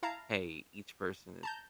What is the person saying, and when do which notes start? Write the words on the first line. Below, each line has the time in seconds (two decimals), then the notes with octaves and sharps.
hey, each person is
0.03 E4 F5 A5 A#5
1.43 A5 A#5 G6